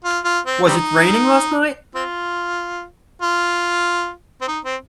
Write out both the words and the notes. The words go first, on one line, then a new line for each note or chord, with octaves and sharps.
Was it raining last night?
F4
F4
C4
G3 C4 D#4
C4 F4
F4
C4
D#4
C4